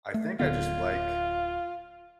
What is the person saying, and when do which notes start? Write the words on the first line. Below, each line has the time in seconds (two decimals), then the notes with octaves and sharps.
I think I just like
0.14 A3
0.40 D1 D3 B3 F4